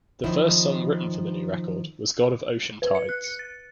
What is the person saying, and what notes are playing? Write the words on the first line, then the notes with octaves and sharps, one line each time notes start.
The first song written for the new record was God of Ocean Tides.
D#3 F3 C#4 D#4 E4
B4
C#7
F#6
C#7
A6